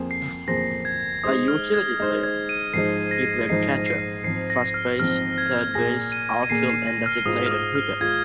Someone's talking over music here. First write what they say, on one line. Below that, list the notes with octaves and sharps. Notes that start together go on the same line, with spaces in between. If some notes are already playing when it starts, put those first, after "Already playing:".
A utility player, he played catcher, first base, third base, outfield and designated hitter.
Already playing: F2 F3 A#3 G#4 C5
C7
F2 F3 A#3 G#4 C5 A#6
G#6
G#3 D#4 C5 D#6
F6
G#6
G#3 D#4 C5
G#6
D#7
G#2 F3 G#3 D#4 C7
A#6
G#2 F3 G#3 D#4 C7
C7
G#2 F3 C4 C7
A#6
F6
G#2 F3 C4 F6
G#6
A#2 A#3 G#4 A#6
D#7
D#7
A#2 A#3 G#4 C7
C7
A#6
F6
G#2 G#3 F4 D#6
F6
D#6
F6
G#3 F4 G#6